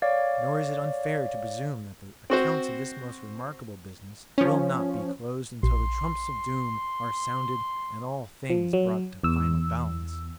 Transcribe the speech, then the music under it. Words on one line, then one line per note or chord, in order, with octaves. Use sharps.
Nor is it unfair to presume that the accounts of this most remarkable business will not be closed until the Trumps of Doom are sounded and all things brought to final balance.
C#5 D5 F5
C4 F#4 C5
F3 C#4
A#1 C6
F3
F#3
E2 E6